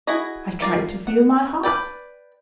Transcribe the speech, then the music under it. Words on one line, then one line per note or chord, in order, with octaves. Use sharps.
I tried to feel my heart.
E4 F#4 G#4 D#5
F4 A#4 D5 F5
F#5
B4 D5 G5